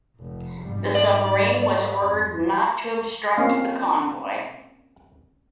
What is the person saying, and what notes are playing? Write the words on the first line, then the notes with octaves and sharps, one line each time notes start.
The submarine was ordered not to obstruct the convoy.
F1
G#2 G3
D5
F2
A#3 C4 C#4 F5